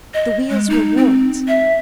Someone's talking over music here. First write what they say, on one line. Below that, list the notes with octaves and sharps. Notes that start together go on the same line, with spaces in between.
The wheels were warped.
D#5
G#3
D#4
C4
E5